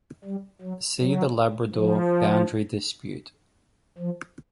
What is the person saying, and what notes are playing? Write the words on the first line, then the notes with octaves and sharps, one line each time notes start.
See The Labrador boundary dispute.
G3
F#3
F#3
F3
F3